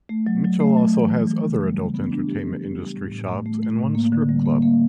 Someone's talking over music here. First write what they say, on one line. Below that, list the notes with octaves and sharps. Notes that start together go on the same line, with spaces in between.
Mitchell also has other adult entertainment industry shops and one strip club.
A3
F#3
F#3
A3
F#3
E3
G3
E3
C#3
G3
C#3
B3
D4
G4
D4
G4
G3
A2
A2
A3
A3
A3
A2
A#3
D3
G3
A#3
A#3